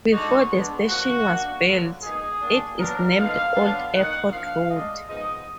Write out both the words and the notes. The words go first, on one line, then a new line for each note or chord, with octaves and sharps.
Before the station was built, it is named Old Airport Road.
D3 G#3 D#4 F#4
D3 G#3 B3 D4
F3 A#3 D4 F#4
B2 A#3 D4
D3 F#3 A#3
A#2 G#3 B3 D#4 G#4
D#3 A#3 D4
A#2 F#3 B3 D4 A#4
D3 F3 B3 D#4 F5
D3 F#3 B3 D4
D#3 A#3 D#4 F#5
F3 A#3 D4 F5
D3 G#3 D4 D#5
F3 G#3 B3 D#4 D#5